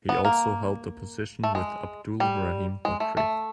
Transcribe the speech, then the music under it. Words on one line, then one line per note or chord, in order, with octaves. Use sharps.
He also held the position with Abdul Rahim Bakri.
B3
A#3
A3
G#3
G3
G#3
A3
A3